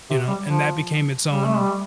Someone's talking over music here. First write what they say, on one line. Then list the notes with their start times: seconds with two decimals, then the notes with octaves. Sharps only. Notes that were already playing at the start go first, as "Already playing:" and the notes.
you know, and that became its own
0.10 C3
0.28 G3
0.45 F3
1.31 G3
1.44 A3
1.58 G3